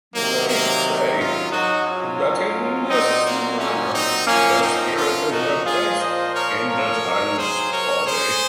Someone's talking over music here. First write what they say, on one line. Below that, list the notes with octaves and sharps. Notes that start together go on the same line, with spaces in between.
They say that in this manner the spirit is replaced in the child's body.
C3 D#3 F#3 A#3
A#3
C#4 F4
G#2 F#3 D#4 F#4
C#4 F4
A#2 F#3 C4 D#4
A#3
A#3 C#4
C4 D#4
F#2 F3 A#3 C#4
C4 D#4
C#4 F4
D#4 F#4
A#2 F3 F4 G#4
C5 D#5
A#4 C#5
A#4 C#5
C3 F#3
G#4 C5
A#4 C#5
G#4 C5